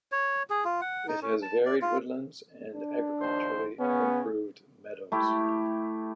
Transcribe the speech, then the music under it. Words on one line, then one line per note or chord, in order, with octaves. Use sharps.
It has varied woodlands and agriculturally unimproved meadows.
C#5
G#4
F4
F#5
D#4
C#4
A5
D5
F4
D4
A#1 D#2 C5
C#3 B3 C#4
A3 E4 G4